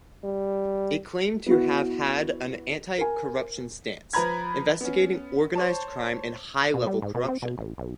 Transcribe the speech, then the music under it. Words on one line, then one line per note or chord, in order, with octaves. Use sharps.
It claimed to have had an anti-corruption stance, investigating organized crime and high-level corruption.
G3
B3 E4 F#4
A#4 G#5
F3 B4 A#5 B5 G#6
B3 C#4
C5 C#5 A5
B2
G3
G#2
B2
C4
B2
A1
B1